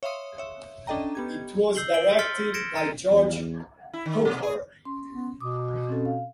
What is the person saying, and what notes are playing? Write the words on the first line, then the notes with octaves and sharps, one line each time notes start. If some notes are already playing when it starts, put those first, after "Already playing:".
It was directed by George Cukor.
C#5 E5 F5 C6 D#6
C#5 E5
C#4 D4 A4 D#5 G5 A#5
B3 G4 G#6
E6 G6 C7 F#7 G7
D7 F#7 G7
C6 F6 A6 B6 C#7 G7
G#6 A#6 C#7 D7 E7
A#5 A6 C#7 D#7
E2
E4
D#3
B2
G#4
C#4 C6
B3
B2 D6 D#6
C4 C#4 A4
F5